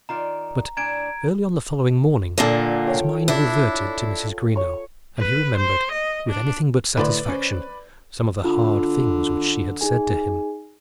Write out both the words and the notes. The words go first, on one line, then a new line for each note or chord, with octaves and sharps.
But early on the following morning his mind reverted to Mrs. Greenow, and he remembered, with anything but satisfaction, some of the hard things which she had said to him.
D#3 F4 D5 A#5
A2 D4 G#5 A#5 G#6 D7
A#2 D3 A#3 D4 F4 A4
C#5 G5
D4 E4
C#5 C#6
B4
C5
D#5
D4
D2 A2 D3 E4 B4 D5 C6
C#4 C5
D3 F4
D#4 G#4 G#5